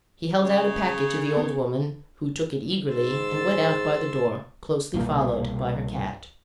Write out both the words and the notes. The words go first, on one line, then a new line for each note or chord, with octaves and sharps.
He held out a packet to the old woman, who took it eagerly and went out by the door, closely followed by her cat.
C#3
B3
G#2 C6 E6 A6
C2 B2 A#3